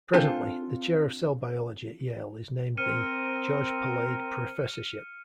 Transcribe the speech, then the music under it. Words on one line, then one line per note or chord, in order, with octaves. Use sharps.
Presently, the Chair of Cell Biology at Yale is named the "George Palade Professorship".
C4 D4 F4 A4 C5 G#5
C4 A#4 F6 C#7 D#7